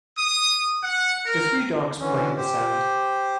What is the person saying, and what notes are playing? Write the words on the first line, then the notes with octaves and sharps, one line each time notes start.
The three dogs play in the sand.
D#6
F#5
A#4
D3 E3 C#4
G4 C5